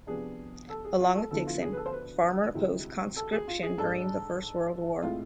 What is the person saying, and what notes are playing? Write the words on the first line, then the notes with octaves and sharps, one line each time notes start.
Along with Dixon, Farmer opposed conscription during the First World War.
C3 F3 B3 D4 G#4
A4
G#4
F4
A4
D2 D3 F3 B3 E4 A4
F4
G#4
B4
A4
C5
B4
D2 C3 G#3 C4 E4
A4
G#4
F4
G#4
G#2 G#3 D4 A4
A2 G#3 C4 E4 F4